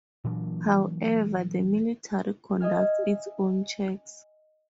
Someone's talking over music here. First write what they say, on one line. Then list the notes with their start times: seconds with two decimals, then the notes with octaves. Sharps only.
However, the military conducts its own checks.
0.24 A#2 E3 F#3 D4
2.60 D#5 E5 G#5 F6